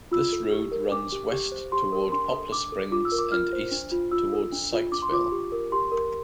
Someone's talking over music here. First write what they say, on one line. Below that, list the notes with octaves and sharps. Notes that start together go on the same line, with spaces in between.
This road runs west toward Poplar Springs and east toward Sykesville.
F4 E6
A4
G4
A#4
D4 D6
G4
G4
C5
G4 C6
A#4
D4 C6
A4
D4 D6
A4
F4 D6
E6
A#4
D6
F4 F6
C5
D4
F4
F4 E6
A4
D4
F4
D4 D6
C6
F4 D6
G4
A#4
G4 C6
A#4